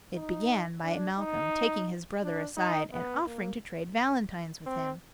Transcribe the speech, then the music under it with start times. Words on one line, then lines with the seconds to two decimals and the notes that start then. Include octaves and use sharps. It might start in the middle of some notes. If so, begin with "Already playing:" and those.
It began by Malcolm taking his brother aside and offering to trade valentines with him.
0.14 D#4
0.83 D4
1.19 D#4
2.23 D4
2.57 D#4
2.92 B3
3.26 A#3
4.66 C4